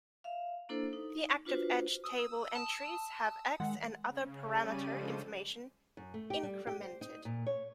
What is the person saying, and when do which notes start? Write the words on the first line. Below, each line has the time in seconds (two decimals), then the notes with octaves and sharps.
The active edge table entries have X and other parameter information incremented.
0.24 E5 F5
0.69 A#3 D4 E4 A4 C5
0.93 D#4
1.46 D4 F4 F#4 B4 C5
2.04 D#6 E6
2.55 A5
3.60 D#3 G#3 F#5
4.06 C#3
4.46 C#3 G3 C#4 D5 D#7
4.85 D3 F3 G#3 A4 C5
5.97 F#2
6.14 A3
6.30 G4
6.43 G3
6.67 G4
6.81 C5
7.01 D#4
7.25 A#2
7.47 C#5